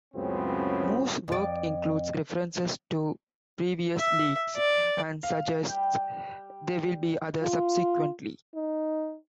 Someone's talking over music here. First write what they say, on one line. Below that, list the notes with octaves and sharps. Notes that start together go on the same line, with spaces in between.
Moore's work includes references to previous leagues and suggests there will be others subsequently.
C#2 F#2 A2 C#3 B3 C4
F2 D5
E5
D5
F5
G3 G4 G5 B5
F4
D#4